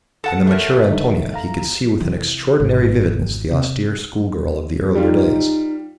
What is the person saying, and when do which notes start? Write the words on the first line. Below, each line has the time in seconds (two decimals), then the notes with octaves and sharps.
In the mature Antonia he could see with an extraordinary vividness the austere schoolgirl of the earlier days.
0.24 A4 F#5 A5
0.47 A3 A#4
0.88 D3 D#3 D#4
1.34 F5 A#5
2.00 C3 E3
2.60 G#1 E4
3.51 C3
4.95 G3 D#4 F4